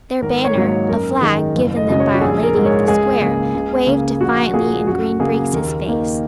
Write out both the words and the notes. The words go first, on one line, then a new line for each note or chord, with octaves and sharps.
Their banner, a flag given them by a lady of the Square, waved defiantly in Green Breeks' face.
G#1 A#4
C#5
G#2 F#3 A#3
C#5
F#2 A#4
D#3 G#3
F#1
D#5
F#2 C#3 F#3 D#5
C#5
F#4
A#1 G#4
A#4
G#2 G#3
C#5
C#2 G#4
C#3 A#3
C#2
C#3 A#3
A#1 F#4
A#2 A#3 G#4
F#2 F#4
C#3 A#3 G#4
D#2 A#4
D#3 A#3